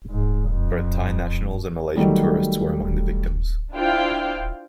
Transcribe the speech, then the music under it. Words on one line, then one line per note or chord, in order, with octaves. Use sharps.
Both Thai nationals and Malaysian tourists were among the victims.
G#2
F2
D#3 F#3 G3 A3
D4 E4 F4 C5 F5 G5